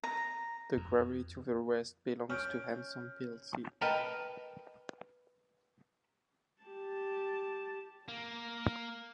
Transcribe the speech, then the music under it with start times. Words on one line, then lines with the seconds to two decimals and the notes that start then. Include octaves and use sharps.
The quarry to the west belongs to Hanson plc.
0.04 A#5
0.77 F2
2.30 C#4 F6 G6 D7
3.81 A#4 B4 D#5 G5 A5 A#5
6.64 G4 A5
8.08 A#3